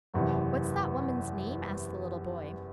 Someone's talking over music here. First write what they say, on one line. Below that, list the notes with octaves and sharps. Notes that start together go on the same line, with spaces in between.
"What's that woman's name?" asked the little boy.
F#1 E2 C3 E3